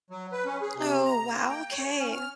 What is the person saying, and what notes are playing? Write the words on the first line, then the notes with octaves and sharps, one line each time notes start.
Oh, wow, okay.
F#3
B4
C#4
G#4
C3
A#5
A#3
G5
C#5
C#4
F6